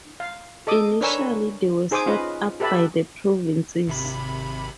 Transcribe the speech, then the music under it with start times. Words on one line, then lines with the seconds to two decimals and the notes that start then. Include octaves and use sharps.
Initially they were set up by the Provinces.
0.20 F5
0.67 A4 D#5 D6 D#6
1.01 D4 A#4 B4 C#5 G#5 E6
1.91 D#4 G#4 C5 G#5 D6 D#6
2.06 C#4 F4 B4 D#5
2.60 G4 A4 B4 E5 A5 B5
3.87 G#1 C3 B5